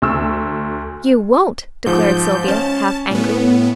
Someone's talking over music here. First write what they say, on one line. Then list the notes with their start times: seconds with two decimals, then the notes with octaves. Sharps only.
"You won't!" declared Sylvia, half angrily.
0.02 D2 E6
1.86 G#2 F3 G6
2.48 C#4 A5
3.11 A2 B3